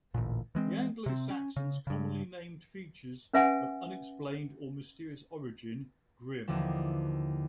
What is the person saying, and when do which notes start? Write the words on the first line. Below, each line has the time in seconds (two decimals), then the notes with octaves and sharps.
The Anglo Saxons commonly named features of unexplained or mysterious origin "Grim".
0.14 A1 D2 A#2
0.55 E3 G#3 C4
1.06 C3 C4
1.30 C#4
1.57 C#3
1.87 G2 C#3
3.33 C#4 B4 E5 F#5 G#5
6.48 D#2 D3 E3 F3